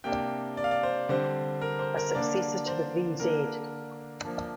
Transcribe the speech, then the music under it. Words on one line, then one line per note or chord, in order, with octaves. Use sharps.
A successor to the vz.
C3 A#3 D4 G5
D5
F5
D5
C5
D3 G3 C4 C5
A#4
C5
A#4
D3 A#3 D4 D5
C5
D3 A#3 D4 A#4
F3 A#3 D4